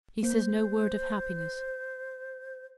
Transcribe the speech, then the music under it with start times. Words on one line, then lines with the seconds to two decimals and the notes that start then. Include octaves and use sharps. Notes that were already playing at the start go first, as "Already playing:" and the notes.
He says no word of happiness.
0.23 A#3 C5